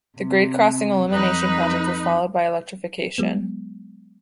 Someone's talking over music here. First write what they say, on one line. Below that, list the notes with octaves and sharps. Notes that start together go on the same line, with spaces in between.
The grade crossing elimination project was followed by electrification.
C3
F2 D#4 B4
F#3 G#3 B3